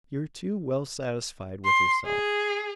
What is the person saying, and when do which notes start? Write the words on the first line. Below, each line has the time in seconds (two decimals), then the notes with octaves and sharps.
You're too well satisfied with yourself.
1.65 C6
2.05 G#4